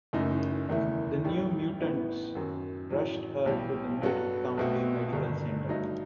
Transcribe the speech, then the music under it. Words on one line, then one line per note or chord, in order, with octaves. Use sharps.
The New Mutants rushed her to the Mid-County Medical Center.
F#1 F#2 E3 A3 D#4
F#1 E2 D#3 A3 E4
A1 A2 G3
A1 A2 E3 B3 E4
F#2 D#3 F#3
A1 A2 F#3
B1 A2 E3 G3
G2 F#3 B3 F#4 A4
B1 B2 A3 C4 F#4
G1 G2 D#3
G2 F#3 A3 D#4